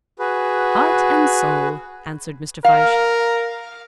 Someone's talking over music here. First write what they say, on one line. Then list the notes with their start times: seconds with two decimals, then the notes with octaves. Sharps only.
"Heart and soul," answered Mr. Fyshe.
0.19 F#4 G#4 B4
2.65 A#4 F5